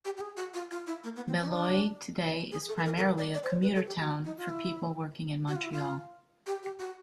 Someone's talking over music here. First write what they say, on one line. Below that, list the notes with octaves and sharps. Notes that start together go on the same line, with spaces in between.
Beloeil today is primarily a commuter town for people working in Montreal.
G4
G4
G#4
F#4
F4
F4
E4
A#3
B3
C4
C#4
D#4
D4
G#4
A4
B4
A#4
A4
A#4
D5
D5
C5
C#5
B4
A4
G4
F#4
D#4
F4
E4
F#4
F4
E4
F4
G4
G4
F#4